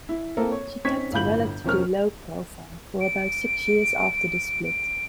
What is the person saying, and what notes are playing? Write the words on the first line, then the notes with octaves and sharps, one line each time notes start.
She kept a relatively low profile for about six years after the split.
E4
A#3 C4 E4 A4 A#4
C#5
C4 C#4 D#4 C#6 G#6 B6
G1 A2 F4 B5 G6 F#7
E1 F3 C#4 A#4 F6
D7
D7